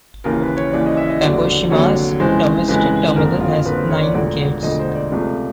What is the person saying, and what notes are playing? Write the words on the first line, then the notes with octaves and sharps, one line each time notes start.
Kagoshima's domestic terminal has nine gates.
D#2 C#3 E3 A#4
B4
C#5
D#2 C#3 E3 D5
D#5
E5
D#5
F1 D#2 D3 F#3 D5
F1 D#2 D3 F#3 C#5
F2 C#3 E3 G#3 C5
F2 C#3 E3 G#3 B4
F#1 F2 D3 A#4
F4
F#1 F2 D3 B4
C5
C#5
D5
E1 D2 D3 F3 D5
E1 D2 D3 F3 D#5
C5
D5
C#2 C3 F3 A3